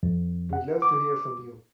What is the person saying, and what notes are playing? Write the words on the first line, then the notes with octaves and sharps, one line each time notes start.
We’d love to hear from you.
F2
F#5
D6